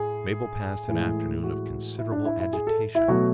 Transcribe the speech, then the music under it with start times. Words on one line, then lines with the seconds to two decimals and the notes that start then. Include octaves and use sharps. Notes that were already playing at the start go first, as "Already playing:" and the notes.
Mabel passed an afternoon of considerable agitation.
Already playing: A2 G#4
0.88 A2 E3 G#3
1.43 F#4
1.98 E4
2.12 D4
2.25 E4
2.40 E4
2.53 G#4
2.67 A4
2.95 E4
3.08 B2 F#3 A3 F#4